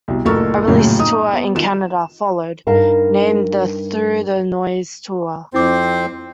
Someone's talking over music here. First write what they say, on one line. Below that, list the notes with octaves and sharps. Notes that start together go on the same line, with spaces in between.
A release tour in Canada followed, named the Through the Noise Tour.
C2 B2
F#1 D2 A#2 A4 A#4 C#6
D#1 F#2 A2 C#3 G#3
D#4 D#6
B3
D#3 F4 E7
G2 D#4 A#4 F5 A5
F2 C4 E4 C5 D6